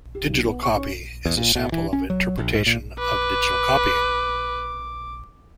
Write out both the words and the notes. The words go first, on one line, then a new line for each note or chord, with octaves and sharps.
Digital Copy is a sample of interpretation of digital copying.
G4
B1
B3
C#6
C#4
E2
A#2
B2
E3
C#4
F#3
A#1
G#2
A#2
B4 D6